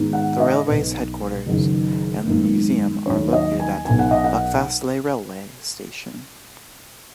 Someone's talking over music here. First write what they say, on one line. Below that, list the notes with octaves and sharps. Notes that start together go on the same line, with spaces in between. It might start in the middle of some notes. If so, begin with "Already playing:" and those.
The Railway's headquarters and museum are located at Buckfastleigh railway station.
Already playing: G#2 D#3 B3 D#4
F#5
D#5
B1 B2 B3 D#4 B4
F#1 F#2 D#3
G#1 F#2 D#3 B3 D#4
D#2 D#3 F#3 D#4 C#5
C#5
D#5
G#5
B1 B2 B3 D#4 G#5
F#5
D#5
F#5